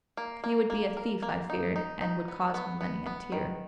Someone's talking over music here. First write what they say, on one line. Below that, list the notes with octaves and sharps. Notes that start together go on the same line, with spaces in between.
He would be a thief, I fear, And would cause me many a tear.
A#3
A#3
A#3
A#4
A#3
D#4
D#4
D#4
B3
B3
B3
B3
D#3